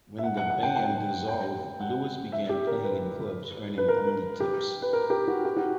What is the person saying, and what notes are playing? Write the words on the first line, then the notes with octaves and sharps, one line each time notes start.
When the band dissolved, Lewis began playing in clubs, earning only tips.
E5
F#5
F#5
F#5
G5
G5
G5
F#5
E5
G4
A#4
B4
B4
A#4
G4
B4
A#4
G4
F#4
G4
F#4